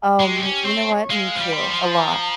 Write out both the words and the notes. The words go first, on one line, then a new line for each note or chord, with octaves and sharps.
Oh, me you know what? Me too, a lot.
G#3 G4
C4
C#4
C4 C#5
G#3 F5
F3
G3
C6
F3
A#5